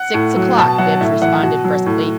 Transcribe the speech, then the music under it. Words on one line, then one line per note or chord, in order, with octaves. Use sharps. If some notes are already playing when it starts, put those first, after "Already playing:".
"Six o'clock," Bibbs responded, briskly.
Already playing: F#5
A2
F#3
B2 A5
F#3 F#5
A2 E5
E3 F#5
B2 F#4
F#3
A2